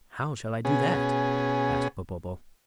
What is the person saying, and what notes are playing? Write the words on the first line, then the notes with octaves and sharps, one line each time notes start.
"How shall I do that?" asked Popopo.
B2 C#4 G#4